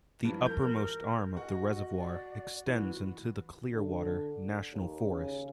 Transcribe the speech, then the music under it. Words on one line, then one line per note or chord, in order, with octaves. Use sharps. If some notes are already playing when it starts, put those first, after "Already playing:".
The uppermost arm of the reservoir extends into the Clearwater National Forest.
G2 E3 F3
A#4 G6
F#4 D#5
D5
E3 F#4
D3
D#2
C#3